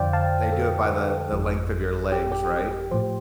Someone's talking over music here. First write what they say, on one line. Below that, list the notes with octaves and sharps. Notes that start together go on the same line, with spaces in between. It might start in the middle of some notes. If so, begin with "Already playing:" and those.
they do it by the the length of your legs, right?
Already playing: F2 D3 F3 C5 D5 F5 G5
F5 A5
A4
G1 F2 F3
G4
G4
G4
A2 F3 G4 C5